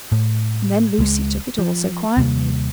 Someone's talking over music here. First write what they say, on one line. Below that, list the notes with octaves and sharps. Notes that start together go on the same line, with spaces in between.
And then Lucy took it all so quietly.
A2
C#2 F3 G#3
F3
D#2 C3 G3 A#3